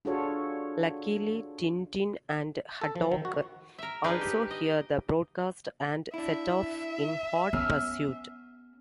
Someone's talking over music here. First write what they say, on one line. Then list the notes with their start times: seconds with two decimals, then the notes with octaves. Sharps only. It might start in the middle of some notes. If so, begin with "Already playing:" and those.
Luckily, Tintin and Haddock also hear the broadcast and set off in hot pursuit.
0.05 D4 F4 F#4 G#4 A4 C#5
2.81 A4
2.96 F3
3.12 D#3
3.25 F#4
3.78 A#4 E5
4.04 D4 D#4 G#4 B4 F5 G5
4.21 G4
4.51 D#5
6.14 D4 E4 E5
7.53 B3 C#4 E6 F6 C7